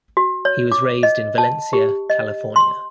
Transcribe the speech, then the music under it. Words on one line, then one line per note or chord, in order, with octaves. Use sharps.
He was raised in Valencia, California.
F#4
C#5
D6
D#5
A5
G4
D#5
C6